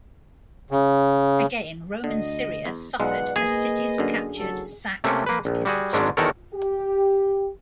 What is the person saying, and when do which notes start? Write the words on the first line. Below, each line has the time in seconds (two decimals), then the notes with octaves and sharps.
Again Roman Syria suffered as cities were captured, sacked and pillaged.
0.71 C#3
2.04 D2 D3 D#5
2.65 E2
3.00 B1 G#3 F4 B4 D5 F#5
3.36 A#3 G#4 B4 D#5
3.98 F#2 D3
4.38 F#1 F#3 A4
5.04 C3 A3 A#3 C#4
5.26 A#3 B4
5.45 A#1
5.65 G3 F#4 G#4
5.93 G#1 G#2 F#3 G#3 C#4 D4
6.17 E2 D#3 F#4 A4 A#4 C#5
6.54 G4